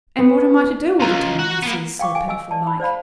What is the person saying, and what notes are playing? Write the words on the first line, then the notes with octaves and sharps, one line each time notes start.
'And what am I to do all the time?' he says so pitiful like.
B3
C#2 F4 A#5
F#4 F#5 A#5
A#3 B3
F5 G5 C#6 D6
F5 G5 G#5
D#5 G#5 E6
D5 A5
B5
C5 D5 F5 B5